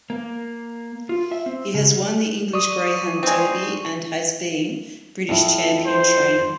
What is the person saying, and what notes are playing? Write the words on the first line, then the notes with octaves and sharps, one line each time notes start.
He has won the English Greyhound Derby and has been British champion trainer.
A#3
F4
E5
C4
C#3
D5 C#6 D#6
G#3 C4
F2 E4
C5